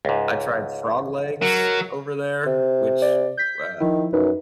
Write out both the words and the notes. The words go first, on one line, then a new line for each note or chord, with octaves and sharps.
I tried frog legs over there, which, w
C#2 G#2
F#3 A#4
C3
D5
G6 B6
D#3 F3 E4
F#2 D#4 B4